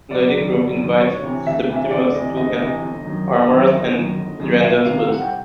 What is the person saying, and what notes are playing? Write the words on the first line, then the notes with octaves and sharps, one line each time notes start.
Lady Croom invites Septimus to an amorous rendezvous.
F#1 D5
F#2 D#3
F#1
F#2 D#3
D2 C#5
C3 E3
D2 E5
C3 E3
E5
D2 D5
C3 E3 D#5
D2 D#5
C3 E3 D#5
G1
F#2 D#3
G1
F#2 D#3
G1 D#5
F#2 D#3
G1
F#2 D#3
C2 E5
C3 D#3 F5
C2 F#5
G5